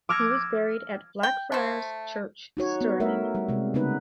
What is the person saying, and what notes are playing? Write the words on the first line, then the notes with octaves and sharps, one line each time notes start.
He was buried at Blackfriars' Church, Stirling.
D6 E6 F6 G#6 A#6 C#7
G5
A3 C5
D#4 F#4 C#5
B3
A3 A#4 E5
G3
C3 G#3
C#3 B3 D#4 B4